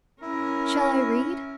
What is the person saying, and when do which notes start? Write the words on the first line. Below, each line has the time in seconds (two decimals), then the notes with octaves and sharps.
Shall I read?
0.22 C#4 E4 A#4